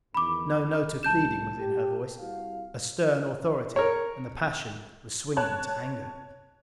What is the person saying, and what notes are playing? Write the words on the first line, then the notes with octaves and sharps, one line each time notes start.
No note of pleading was in her voice: a stern authority, and the passion was swinging to anger.
E2 D#3 B5 D6
C2 A5 G6 E7
G4
C2 F#4 F5
A#4 C#5
C#5 A5 F#6